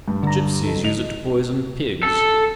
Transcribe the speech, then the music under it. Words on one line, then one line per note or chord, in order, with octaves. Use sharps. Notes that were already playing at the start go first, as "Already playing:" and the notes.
"The gipsies use it to poison pigs."
G2
D3 A#5
B1 A4
D#5 F7
A4